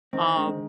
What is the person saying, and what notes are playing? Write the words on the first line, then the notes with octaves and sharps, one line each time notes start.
U um,
D#3 C4
D3 G#3
D#3